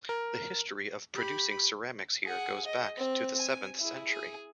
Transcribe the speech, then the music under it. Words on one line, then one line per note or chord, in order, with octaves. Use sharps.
The history of producing ceramics here goes back to the seventh century.
A#4
G4 B5
G#4 F#5
D#5
C4
G#5
E4 G#4
G#4